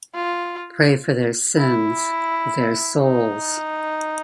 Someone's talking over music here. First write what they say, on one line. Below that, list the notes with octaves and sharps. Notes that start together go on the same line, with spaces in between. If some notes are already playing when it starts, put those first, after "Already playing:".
Pray for their sins, their souls.
F4
E4
D#4